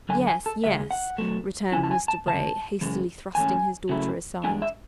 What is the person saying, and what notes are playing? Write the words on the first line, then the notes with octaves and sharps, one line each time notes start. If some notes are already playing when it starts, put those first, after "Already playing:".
'Yes, yes,' returned Mr Bray, hastily thrusting his daughter aside.
F#2 D3 F#3 G#5
G#5
A4
C#2 C#3 G#3 E5
F#5
B1 A2 F#3 A3
C#2 C#3 F#3 C#4 E4 G#5
A5
G#5
A5
D2 C#3 A5
F#2 C#3 E3 G#3
G#2 E3 A3 C#4 G#5
C#3 F#3 A3 E4
E2 C#3 G#3 D4 G#5
E5